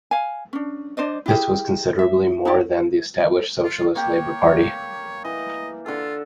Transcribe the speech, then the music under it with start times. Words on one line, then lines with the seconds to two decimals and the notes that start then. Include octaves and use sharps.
This was considerably more than the established Socialist Labor Party.
0.11 F5 G#5
0.53 C#4 D4
0.97 D4 C5 D5 D#5
1.26 E4 G4 G#4
1.99 E5
2.45 D#4 E4 G4 D5
3.64 F4
3.96 A#3 G4 C#5
5.25 E3 D#5
5.86 D3 F4 A4